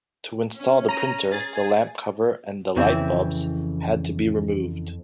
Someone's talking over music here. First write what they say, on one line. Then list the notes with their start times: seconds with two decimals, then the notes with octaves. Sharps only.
To install the printer, the lamp cover and light bulbs had to be removed.
0.55 C#4
0.89 A#5 D#7
1.32 G#4 A6
2.76 F2 C#3 E3 C4